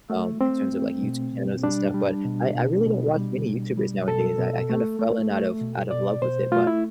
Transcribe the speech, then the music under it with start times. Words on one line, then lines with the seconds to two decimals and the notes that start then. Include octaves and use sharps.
um, in terms of, like, YouTube channels and stuff, but I I really don't watch many YouTubers nowadays. I I kind of fell in out of out of love with it, but,
0.10 A3
0.41 A3 C4
0.72 A3
1.03 B2
1.33 B2
1.63 G3 D4
1.94 G3
2.24 B2
2.55 B2
2.86 B2
3.16 G3
3.47 B2
3.77 G3
4.08 B2 A4
4.38 B2
4.70 A3
4.99 A3
5.31 A3
5.61 B2
5.91 B2 D5
6.21 B2 C5
6.52 A3 F4
6.67 E4